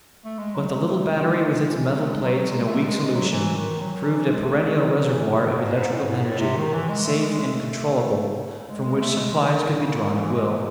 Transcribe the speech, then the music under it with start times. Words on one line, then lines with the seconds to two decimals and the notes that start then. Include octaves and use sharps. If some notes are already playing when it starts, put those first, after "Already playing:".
But the little battery with its metal plates in a weak solution proved a perennial reservoir of electrical energy, safe and controllable, from which supplies could be drawn at will.
0.25 A3
0.39 G#3
0.55 F#3
0.71 G#3
0.87 A3
1.04 G#3
1.20 G#3
1.36 A3
1.52 G#3
1.68 E3
1.85 F#3
1.97 A3
2.10 G#3
2.22 F#3
2.34 F#3
2.50 G#3
2.66 A3
2.83 G#3
3.05 G#3
3.15 F#3
3.32 E3
3.56 D#3
3.80 F#3
4.04 E3
4.28 G#3
4.45 A3
4.62 G#3
4.78 F#3
5.03 E3
5.27 C3
5.51 G#2
5.75 G#2
5.92 A2
6.09 G#2
6.25 A2
6.40 C3
6.56 D#3
6.73 E3
6.89 G#3
7.06 A3
7.23 G#3
7.39 G#3
7.46 A3
8.68 G#3
8.85 G#3
9.02 A3
9.18 G#3
9.33 E3
9.50 D#3
9.67 A2
9.78 C#3
9.91 C#3
10.03 D#3
10.15 E3
10.31 G#3
10.48 A3